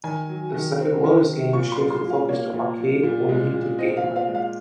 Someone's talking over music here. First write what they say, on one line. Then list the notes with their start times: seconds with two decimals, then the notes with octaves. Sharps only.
The second Lotus game shifted focus to arcade-oriented gameplay.
0.04 D#3 G#5
0.29 F#3
0.54 D#3
0.78 C4
1.04 D#3
1.28 F#3
1.53 A#2 C#6
1.72 C6
1.79 F#3
1.90 C6
2.04 A#2
2.10 F5
2.29 A#3 C#5
2.53 A#2
2.79 F#3
3.03 A#2
3.29 G#3
3.54 A#2
3.78 C4 D#5
3.97 F5
4.03 A#2
4.16 F5
4.28 G#3
4.35 F5